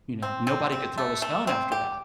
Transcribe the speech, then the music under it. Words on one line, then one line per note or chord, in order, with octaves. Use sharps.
you know? Nobody could throw a stone after that,
C4
C4
C4
A3
A3
C4
G4